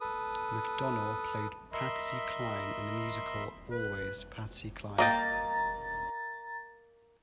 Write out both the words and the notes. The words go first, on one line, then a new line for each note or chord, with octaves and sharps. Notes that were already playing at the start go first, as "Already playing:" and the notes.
McDonough played Patsy Cline in the musical "Always...Patsy Cline".
A4 B4 D#6
A#4 D#5 E5 B5 C6
B4
A#3 D#5 G5 A#5 A6